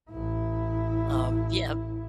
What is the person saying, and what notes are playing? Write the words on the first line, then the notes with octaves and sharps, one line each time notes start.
Um, yeah
A1 E4